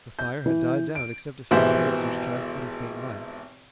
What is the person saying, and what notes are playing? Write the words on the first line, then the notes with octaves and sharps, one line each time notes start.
The fire had died down except a few coals which cast but a faint light.
G6
E3
D7
G#1 B2 E3 G4 C5 E5